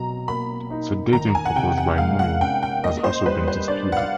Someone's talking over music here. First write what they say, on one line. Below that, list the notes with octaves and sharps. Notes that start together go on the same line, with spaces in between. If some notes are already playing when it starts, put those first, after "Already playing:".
The dating proposed by Muir has also been disputed.
Already playing: B2 F#3 A#5
A#3 B5
D#4
D#3 A#5
G#5
F#5
C3 G5
F#5
G#3 F5
F#5
C#4 G5
G5
A#3 D#5
C5
G3 B4
C5
D4 D5
F#5
F5